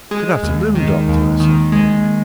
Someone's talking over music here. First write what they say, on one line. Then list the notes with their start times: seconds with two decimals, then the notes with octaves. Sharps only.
"Good afternoon, Doctor," I said formally.
0.11 G#3
0.43 D#2
0.75 D#3
1.08 D#2
1.40 D#3
1.72 G#3